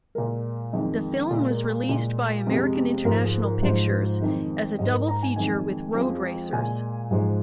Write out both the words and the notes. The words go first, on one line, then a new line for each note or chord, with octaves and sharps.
The film was released by American International Pictures as a double feature with "Roadracers".
A#2 G#3 A#4
F2 D#3 G#3
A#2 G#3 G#4
A#4
G#4
A#2 G#3
F2 C3 G#3
G#2 F3 G#3 A#4
G#4
A#4
G#2 F3 G#3 C5
F2 D#3 G#3
G#2 G#3 D#5
A#4
A#5
G#5
F2 D#3 G#3 G#5
F2 F3 G#3
A#2 G#3 G#5
G#2 F3 G#3